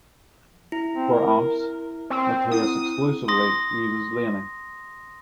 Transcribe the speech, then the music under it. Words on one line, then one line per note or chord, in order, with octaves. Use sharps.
For amps, Mattias exclusively uses Laney.
E4
C4
A#4
C4
C4 E4 D#6
C6 D#6 A#6